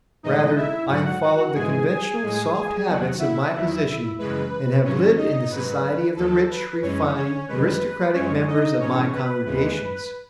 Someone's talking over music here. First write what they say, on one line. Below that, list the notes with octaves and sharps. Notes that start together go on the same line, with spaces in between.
Rather, I have followed the conventional soft habits of my position and have lived in the society of the rich, refined, aristocratic members of my congregations.
A2 E3 G#3 D#4 D#5
E4 E5
G#2 F#3 F#4 F#5
F#4 F#5
G#2 E3 G#3 G#4 G#5
G#4 G#5
A2 G#3
G#4 G#5
E2 D#3 F#3 F#4 F#5
E4 E5
E2 D#3 F#3
F#2 C#3 E3 G#3 B4
G#2 D#3 F#3 C#4 C#5
D#4 D#5
G#2 F#3 B4
D#2 D#3 F#3 A4
B4
F#2 E3 G#3 C#4 C#5
C#4 C#5
F#2 D#3 G#3 B4
B4
F#2 E3 G#3 C#4 C#5
D#4 D#5
A2 E3 G#3 C#4 C#5
B4
D#2 C#3 E3 G#3 B4